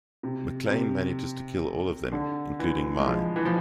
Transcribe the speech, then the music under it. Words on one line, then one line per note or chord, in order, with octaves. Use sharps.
McClane manages to kill all of them, including Mai.
C3
C3
D3
E3
G#3
F3
E3
F3